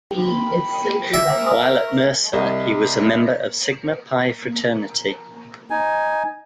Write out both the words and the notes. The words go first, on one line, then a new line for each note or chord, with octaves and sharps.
While at Mercer, he was a member of Sigma Pi Fraternity.
B5
A#4 E5
C2 D#5
D#4 G#5